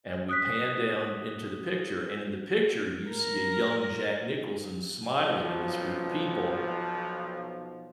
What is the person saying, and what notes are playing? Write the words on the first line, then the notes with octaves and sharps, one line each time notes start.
and we pan down into the picture, and in the picture, you see a young Jack Nicholson smiling in this group of people-
D#6 F#6 B6
A#4
B1 F3